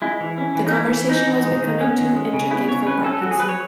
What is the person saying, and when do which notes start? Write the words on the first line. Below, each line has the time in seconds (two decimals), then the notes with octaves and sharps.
The conversation was becoming too intricate for Parkinson.
0.02 G#3 E4
0.20 E3
0.38 C#4
0.55 E3
0.67 D#4
0.73 A3 E4
0.91 E3
1.09 C#4 D#4
1.27 E3
1.45 G#3
1.62 D#3
1.80 B3 C#4
1.98 D#3
2.15 G#3
2.33 C#3
2.51 B3 E4
2.68 C#3 C#5
2.86 C#4 B4
3.04 C#4 A4
3.21 F#3 F#4
3.31 G#4
3.39 F#3 B4
3.49 C#5